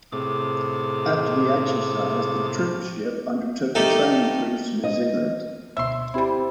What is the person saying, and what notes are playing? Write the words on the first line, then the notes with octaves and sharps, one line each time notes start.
After the exercise, the troopship undertook a training cruise to New Zealand.
A2 C3 G#4 D6
A3 D#4 G4 A4 A#4
D#5
D2 B2 E5 C6
G3 C4 E4 G4 C5